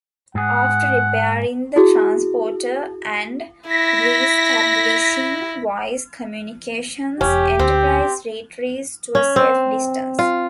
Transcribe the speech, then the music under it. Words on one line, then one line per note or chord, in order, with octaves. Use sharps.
After repairing the transporter and reestablishing voice communications, "Enterprise" retreats to a safe distance.
G#2 G#4 F#5
E4 F#4 G#4
E4 A#6 B6
E1 C#4 G4
D2 C4
C#4
C4
F4